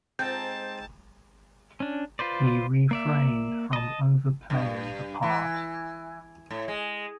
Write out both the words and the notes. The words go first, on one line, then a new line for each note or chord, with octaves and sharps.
He refrained from overplaying the part.
G#2 C4 A4 G5 A5 G6
C#4 D4
F4 B4 C5 D5
A#3 D5 E5
D#5 A5
G2
E3
A2
G#3